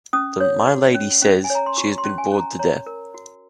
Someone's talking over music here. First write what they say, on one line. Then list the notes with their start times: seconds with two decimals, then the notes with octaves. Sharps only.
My Lady says she has been "bored to death."
0.13 C#4 D#6
0.40 C#5
0.67 F#4
0.95 C#4
1.22 C#4
1.44 G#5
1.50 C#5
1.55 A#5
1.66 C6
1.77 F#4 C#6
1.98 C6
2.04 C#4
2.18 G#5
2.32 C#4
2.39 A#5
2.59 C#5 A#5
2.86 A#4
3.14 F#4